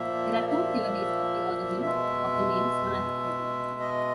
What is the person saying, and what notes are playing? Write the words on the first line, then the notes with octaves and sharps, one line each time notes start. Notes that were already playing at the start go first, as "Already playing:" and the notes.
There are two theories of the origin of the name "Swan River".
Already playing: A#2 F3 A#3 E5
E5
B2 G#3 E5
D#5